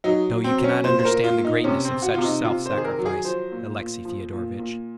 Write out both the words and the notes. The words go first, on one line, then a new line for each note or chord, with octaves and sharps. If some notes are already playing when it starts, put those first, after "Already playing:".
No, you cannot understand the greatness of such self-sacrifice, Alexey Fyodorovitch.
F#3 D#4
F#3
C4
F#3
C#4
A#2 C5
C5
A#4
A#2
F4
A#2
D#4
C3 C#4
C4
C3
F#4
C3 F4
D#4
C3 F4
C5
D#3
G#4
A#4
F#3
G#4
F3 C5
A#2
A#2
F3
A#2
A#2